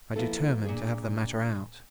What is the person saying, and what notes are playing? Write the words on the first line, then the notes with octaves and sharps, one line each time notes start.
I determined to have the matter out.
F3 A#3 B3 E4 A4
A#2 D4 G#4